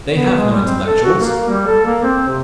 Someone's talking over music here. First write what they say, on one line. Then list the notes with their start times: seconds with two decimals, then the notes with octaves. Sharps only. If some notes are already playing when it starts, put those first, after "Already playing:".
They have no intellectuals....
0.13 B3
0.37 G#3
0.51 G3
0.65 C4
0.83 A4
1.03 F#4
1.20 A#3
1.48 G3
1.67 A4
1.86 A#3
2.03 C4
2.28 C3